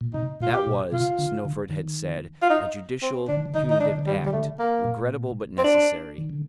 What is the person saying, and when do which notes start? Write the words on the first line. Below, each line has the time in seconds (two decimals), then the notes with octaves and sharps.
That was, Snowford had said, a judicial punitive act, regrettable but necessary.
0.01 A#2
0.14 C3 D#4
0.40 A#2 F4
0.53 G4
0.67 A#2
0.92 C3 F4
1.19 D3
1.45 D3
1.71 D#3
2.42 F4
2.50 D#4
3.02 C4
3.28 D3 D4
3.37 D#3
3.46 D3
3.54 D#3 D#4
3.63 D3
3.70 D#3 D#4
3.80 D3 D4
3.90 D#3
3.99 D3
4.06 D#3 G3
4.16 D3
4.25 D#3 G3
4.32 D3 A3
4.59 A#3
4.84 A#2
5.58 C4
5.64 D4
6.18 D#3
6.30 D3